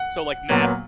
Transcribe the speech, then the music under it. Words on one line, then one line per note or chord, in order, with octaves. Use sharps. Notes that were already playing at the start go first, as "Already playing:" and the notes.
So, like, map
Already playing: F#5
A#2 F#3 B3